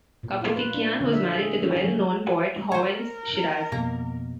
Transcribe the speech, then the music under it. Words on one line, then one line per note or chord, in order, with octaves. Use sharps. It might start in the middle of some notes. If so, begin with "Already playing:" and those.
Kaputikyan was married to the well-known poet Hovhannes Shiraz.
A#2
F4
B4
D4
D3
E5
G#4
C#4
F#3
A#4 C5 C#5
F2 B2 A#3 A#5